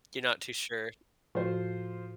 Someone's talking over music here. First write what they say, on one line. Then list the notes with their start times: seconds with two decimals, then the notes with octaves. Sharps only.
You're not too sure.
1.35 A2 F3 F#4 C5